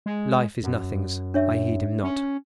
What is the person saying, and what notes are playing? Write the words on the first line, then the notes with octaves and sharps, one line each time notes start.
Life is nothings; I heed him not.
G#3
F#2
D4 C#5 E5
C#4